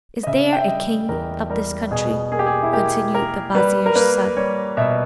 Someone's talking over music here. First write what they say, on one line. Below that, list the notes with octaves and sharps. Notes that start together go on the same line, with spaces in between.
"Is there a king of this country?" continued the vizier's son.
D#5
C#3 E5
G5
E5
G3 D#5
E2 A#4
G3 A#4
B2 G#4
A#3 G#4
G4
G#4
E4
A#3 G4
A#3 A#4
G3 B4
A#4
A#3 B4
G3 C#5
B2 E5